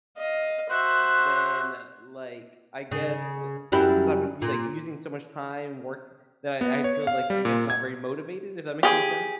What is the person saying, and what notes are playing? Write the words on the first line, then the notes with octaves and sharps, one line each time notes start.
then, like, I guess, uh, since I'm u like, using so much time, and working, that I feel, like, I guess not very motivated, if that makes any sense.
D#5 F5
F#4 C5 E5 F#6
C#3
F#2 G3 E4
A#2
B3
C#5
F5
G3
A#2
G#6
G4 G#4